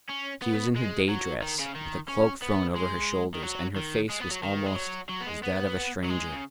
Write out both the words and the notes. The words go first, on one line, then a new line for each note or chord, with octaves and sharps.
She was in her day-dress, with a cloak thrown over her shoulders, and her face was almost as that of a stranger.
C#4
B3
G#3
F#3
D#3
C#3
D#3
C#4
B3
G#3
D#3
F#3
D#3
G#3
B3
F#3
D#3
G#3
F#3
F#3
B3
G#3
B3
F#3
G#3
C#3